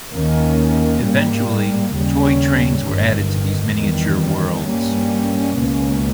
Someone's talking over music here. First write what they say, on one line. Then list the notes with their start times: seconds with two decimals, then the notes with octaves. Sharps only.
Eventually, toy trains were added to these miniature worlds.
0.13 D#2 D#3 A#3 C#4
1.03 G#2 G3 A#3
1.94 D#2 C#3 G3 C#4
2.85 G1 G2 D#3
3.75 E2 D#3 G3
4.64 G2 G3 A#3 C#4
5.55 C#2 B2 A#3 C#4